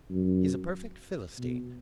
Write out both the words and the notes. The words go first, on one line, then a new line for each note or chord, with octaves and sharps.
"He's a perfect philistine."
F#2
B2